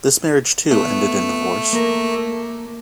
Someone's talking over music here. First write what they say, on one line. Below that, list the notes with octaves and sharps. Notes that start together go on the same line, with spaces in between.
This marriage too ended in divorce.
A3 B3
A#3 A#4